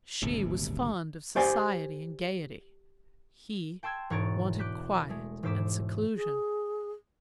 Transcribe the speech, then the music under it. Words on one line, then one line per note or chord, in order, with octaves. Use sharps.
She was fond of society and gaiety, he wanted quiet and seclusion.
D#1 G#1 D2 C3
G4 C5 D5 G#5
G5 A5 C6 E6 G#6
E1 G#2 C#5 A#5 A6 D7
D6 F#6 G6 B6
G#3 A3
E1 G#2 C5 D6 E6 B6
G#4